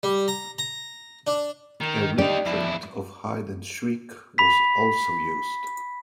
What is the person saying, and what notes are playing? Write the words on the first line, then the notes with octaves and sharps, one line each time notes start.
A reprint of Hyde and Shriek was also used.
G3
A#5
A#5
D4
D#3
D#4 G4 D5
F2 E4
B5 B6